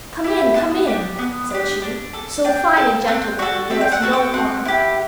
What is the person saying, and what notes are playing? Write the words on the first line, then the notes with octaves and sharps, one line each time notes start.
'Come in, come in,' said she, 'so fine a gentleman will do us no harm.'
E4 G4
B3 A5
D4 G4
B3
D4 G4
D4
A4
D4 G5
A4
C4 F#5
F#4 A4
C4 E5
G5
F#5
F#4 A4
G5
C4 F#5
E4 G4